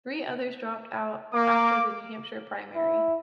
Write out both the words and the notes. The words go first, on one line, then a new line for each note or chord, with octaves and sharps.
Three others dropped out after the New Hampshire primary.
A#3 D6
E4